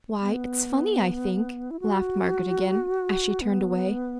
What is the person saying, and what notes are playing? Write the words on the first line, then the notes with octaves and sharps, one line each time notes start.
"Why, it's funny, I think," laughed Margaret again, as she turned away.
B3
E4
F#4
B3